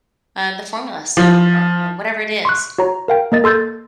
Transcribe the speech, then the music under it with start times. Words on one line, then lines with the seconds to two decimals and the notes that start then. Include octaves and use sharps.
uh, the formula. So or, you know, whatever it is,
1.17 F3
2.45 C6 C#6 F#6
2.78 F#4 C#5 A#5
3.08 A#4 F5 G5
3.32 A#3 A#4 D#5 A6
3.44 A4 C6 E6 G6 A6